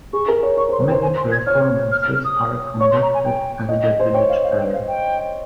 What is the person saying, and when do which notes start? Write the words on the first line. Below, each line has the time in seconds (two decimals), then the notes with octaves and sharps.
Many performances are conducted at the village fair.
0.13 G#4 C#6
0.28 A#4
0.43 C#5
0.57 C#5 C#6
0.69 C5
0.72 C6
0.80 C5
0.87 G5
0.91 C5
1.02 G#5
1.17 C6
1.31 G#6
1.47 C#5 F6
1.92 F6
2.02 F6
2.14 F6
2.25 D#6
2.80 C#5 C#6
2.91 C6
3.02 A#5
3.14 G#5
3.25 G5
3.69 D#5
3.84 D#5
4.00 C5
4.14 C#5 G5
4.29 F5
4.44 F5
4.59 G5
4.73 F5
4.88 G5